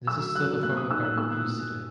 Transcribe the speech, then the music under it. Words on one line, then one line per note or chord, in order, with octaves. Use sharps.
This is still the form of government used today.
F#3 E6
F#3 F#6
A#3 F#6
D#6
D#4 E6
F#6
A#2 E6
F#6
A#2